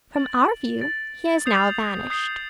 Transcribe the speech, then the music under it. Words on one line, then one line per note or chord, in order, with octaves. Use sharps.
From our view he has now vanished.
A6 D7 F#7
A6 D7 F#7
D#6 G6 C7 F7
D#6 G6 C7 F7